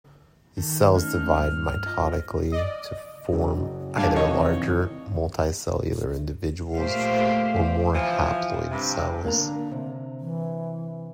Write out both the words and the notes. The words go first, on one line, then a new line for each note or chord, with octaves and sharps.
These cells divide mitotically to form either larger, multicellular individuals, or more haploid cells.
D#3 A4
A3 C#4 D#4 F6
G2
F4 D#5
D5 D#5
F#2 C#3 F#3
G3 D4 F5 G#5 A5
F2 C3 D#3 E3 C#5 D#5 C#6
A#2 A3 G4 C5 F5
E3 F3
G2 C3
A#3 D4 A#4 A#5
D3
C3
E3